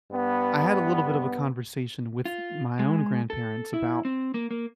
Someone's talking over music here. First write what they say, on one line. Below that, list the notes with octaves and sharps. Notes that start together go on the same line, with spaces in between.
I had a little bit of a conversation with my own grandparents about
G2 B3
F4
G#3
A4
E4
C4
A#3
A#3